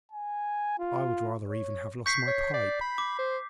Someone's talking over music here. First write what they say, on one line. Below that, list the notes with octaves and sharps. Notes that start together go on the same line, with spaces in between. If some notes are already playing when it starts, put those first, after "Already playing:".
I would rather even have lost my pipe!
G#5
F4
C#5
C#6 G6 B6 C7
C#5
D5
B5
D6
C5